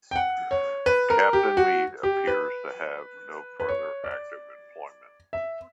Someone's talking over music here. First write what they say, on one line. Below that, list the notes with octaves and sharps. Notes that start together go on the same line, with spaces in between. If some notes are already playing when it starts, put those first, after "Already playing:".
Captain Meade appears to have had no further active employment.
G5
F#5
C#5
B4
A#4
G4
F#4
G4
B4
B4
C#5
D5
E5